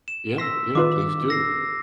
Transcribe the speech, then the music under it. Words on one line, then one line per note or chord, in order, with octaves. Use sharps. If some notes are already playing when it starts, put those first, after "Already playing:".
Yeah. Yeah. Please do.
E7
C6 E6 A#6 B6
D#3 F4 B4 D6
E6 A#6 C7